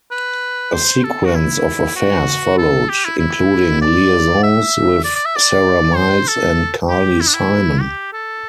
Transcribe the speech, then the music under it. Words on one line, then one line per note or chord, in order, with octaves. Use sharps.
A sequence of affairs followed, including liaisons with Sarah Miles and Carly Simon.
B4
C5
A4
F#4
E4
F#4
A4
G4
E4
E4
D5
E5
D5
D5
E5
D5
C5
A4
G4
E4
D4
E4
G4
A4